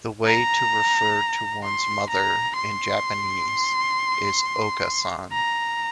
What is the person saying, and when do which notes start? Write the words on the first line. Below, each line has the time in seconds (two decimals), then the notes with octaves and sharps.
The way to refer to one's mother, in Japanese, is "okaa-san".
0.26 A#5
1.64 C6
2.10 A#5
2.56 C6
5.32 A#5